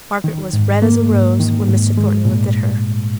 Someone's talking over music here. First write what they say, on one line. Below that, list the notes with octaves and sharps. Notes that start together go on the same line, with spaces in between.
Margaret was red as a rose when Mr. Thornton looked at her.
D#3
G#2
A#3
G#2
D#3
G#2
G#3
A#2